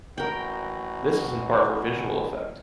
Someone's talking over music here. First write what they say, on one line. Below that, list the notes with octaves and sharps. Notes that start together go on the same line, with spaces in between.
This is in part for visual effect.
A1 F#4 A#4 G5